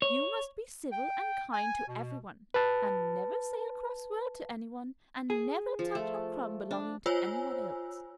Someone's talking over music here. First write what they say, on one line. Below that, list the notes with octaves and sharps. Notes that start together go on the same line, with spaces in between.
You must be civil and kind to everyone, and never say a cross word to anyone, and never touch a crumb belonging to anyone else.
C#5
G5
G#5
B2
B4 A5
G#4
F3
A3
D4
F4 C5 C#5 G#5 E6